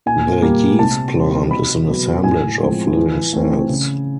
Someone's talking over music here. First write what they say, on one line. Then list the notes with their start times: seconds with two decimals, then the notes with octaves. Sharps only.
The yeast-plant is an assemblage of living cells.
0.06 A#2 G#5
0.42 G3 A#3
0.79 C3 A5
1.15 E3 G3 C4
1.51 B2 B5
1.88 F#3 B3
2.24 A2 G#5
2.60 F3 G#3 C4
2.97 E3
3.33 A3 C4
3.69 C#3